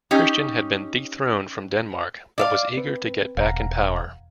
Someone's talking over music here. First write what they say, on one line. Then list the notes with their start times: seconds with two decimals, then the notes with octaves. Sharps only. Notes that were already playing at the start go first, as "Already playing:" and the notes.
Christian had been dethroned from Denmark, but was eager to get back in power.
0.11 C#4 D#4 G4
2.38 D5 E5 F5
2.77 C4 B4
3.37 E1 F5 F#5 A#5